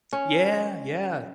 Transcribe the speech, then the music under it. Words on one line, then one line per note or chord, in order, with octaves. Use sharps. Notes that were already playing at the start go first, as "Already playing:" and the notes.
Yeah, yeah.
C#4